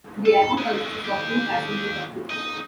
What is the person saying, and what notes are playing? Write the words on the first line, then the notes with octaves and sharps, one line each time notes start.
The airport consists of two passenger terminals.
A4
G#3 A3
D#2 G4
D#4 D#5